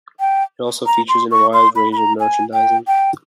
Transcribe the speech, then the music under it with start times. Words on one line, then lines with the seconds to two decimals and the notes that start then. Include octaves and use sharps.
It also features in a wide range of merchandising.
0.20 G5
0.86 A#5
1.09 C6
1.31 C#6
1.54 C6
1.76 B5
1.93 B5
1.97 A#5
2.20 G#5
2.53 G5
2.87 G5